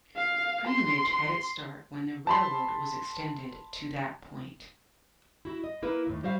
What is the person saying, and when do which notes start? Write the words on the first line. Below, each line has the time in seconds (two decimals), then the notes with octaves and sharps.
Greenridge had its start when the railroad was extended to that point.
0.16 F5
0.68 C6
2.27 A5 B5 C6
5.45 E4 F#4
5.64 D#5
5.82 A#3 E4 A#4 B4
6.07 D#2 A2
6.23 G3 F#4 C5 E5 F5